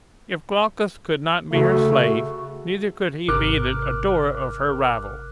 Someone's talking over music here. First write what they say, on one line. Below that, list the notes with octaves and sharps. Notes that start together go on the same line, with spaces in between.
If Glaucus could not be her slave, neither could he be the adorer of her rival.
C#3 A3 F#4
G#1 C3 A#4 D6 F6 F#6